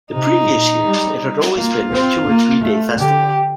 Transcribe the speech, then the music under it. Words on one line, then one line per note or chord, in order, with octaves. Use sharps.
The previous years it had always been a two- or three-day festival.
C3 D#4
A#2
G3
A#3 F4
C4
A#3
A3
D3 G4